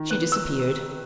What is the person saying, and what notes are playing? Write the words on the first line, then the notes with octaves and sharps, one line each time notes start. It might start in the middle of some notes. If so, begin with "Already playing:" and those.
She disappeared.
Already playing: D#3
B3 F#6
E6